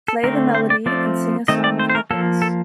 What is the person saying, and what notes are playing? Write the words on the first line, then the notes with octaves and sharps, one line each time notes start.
Play the melody and sing a song of happiness.
A4
D3 A3 C4 A#4
C5
D5
F3 A3 C4 D5
D#3 A3 C4 D#5
D5
C5
C5
A#4
F3 A#3 A4
A4